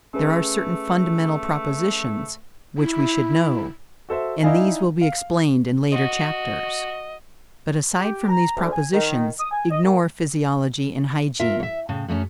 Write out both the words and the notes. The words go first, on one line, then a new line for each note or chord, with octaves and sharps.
There are certain fundamental propositions which we should know; and these will be explained in later chapters, but aside from these propositions, ignore physiology and hygiene.
A3 C#4 G#4 B4
E4
F#4 A4 C5 E5
D#4 E4 D5 D#5 F5 G#5
F5
F#4 D#5
G4
A#5
D2
G#5
D#3
D#6
G#5
D#5
A#2
F4 A#4 E5
C#5 E5
A2 C#3
F#2 A3 B3 C#4